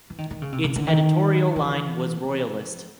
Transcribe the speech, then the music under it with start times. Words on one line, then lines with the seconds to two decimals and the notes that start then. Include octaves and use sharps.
Its editorial line was royalist.
0.10 E3
0.18 D#3
0.30 D#3
0.42 C#3
0.53 C3
0.64 C#3
0.76 D3
0.87 D#3
1.56 E3
2.24 F3